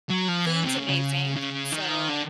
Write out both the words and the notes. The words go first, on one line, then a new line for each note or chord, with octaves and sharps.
Food's amazing, so
F#3
F3
E3
C3
C#3
C#3
C#3
D#3
D3